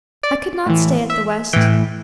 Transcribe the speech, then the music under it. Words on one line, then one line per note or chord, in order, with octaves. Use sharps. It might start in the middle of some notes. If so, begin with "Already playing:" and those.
I could not stay at the West.
D5
A2 E3
E5
A2 E3 G5